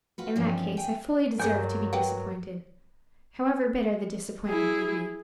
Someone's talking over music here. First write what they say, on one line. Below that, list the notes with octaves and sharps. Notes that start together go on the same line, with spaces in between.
In that case I fully deserve to be disappointed, however bitter the disappointment may be.
F4 F#4 B4
G2 D3 E3 F3 C4 C#4
G5 G#5
G2 F#3 G#4 A#4 F#5 G#5 G6
B4 F#5 G5
E4 G#4